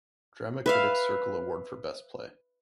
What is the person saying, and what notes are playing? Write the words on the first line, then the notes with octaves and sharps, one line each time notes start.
Drama Critics Circle Award for Best Play.
B4 E5 F5